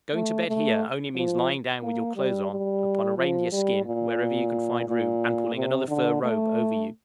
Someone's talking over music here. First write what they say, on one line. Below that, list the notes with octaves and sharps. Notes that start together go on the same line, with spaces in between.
Going to bed here, only means lying down with your clothes on, upon a reindeer skin, wherever you can find room, and pulling another fur-robe over you.
A3
A3
F3
A#3
G3
G3
F3
G3
A#2
A#2
C3
D3
A3